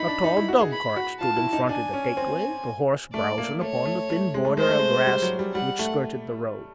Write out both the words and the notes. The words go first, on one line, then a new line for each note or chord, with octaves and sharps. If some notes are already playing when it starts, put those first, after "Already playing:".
A tall dog-cart stood in front of the gateway, the horse browsing upon the thin border of grass which skirted the road.
Already playing: D#4 E4 B5
D4
D#4
E4
F#4
G#4
B5
F#4
F4 A5
E4
D#4
D4 G#5
C#4
C4
A3 D5
A#3
A3 C#5
A3
A3
G#3
A3
G#3 C5
A3
G#3
G3
F#3
G3
G3 F#5
A3